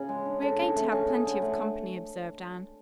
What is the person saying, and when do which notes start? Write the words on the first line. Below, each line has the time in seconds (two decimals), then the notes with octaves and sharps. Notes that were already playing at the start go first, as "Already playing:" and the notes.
"We are going to have plenty of company," observed Anne.
Already playing: C#3
0.09 G#3
0.26 D4
0.42 A4
0.59 C#3
0.76 A3
0.92 C#4
1.09 G#4
1.25 D3
1.42 A3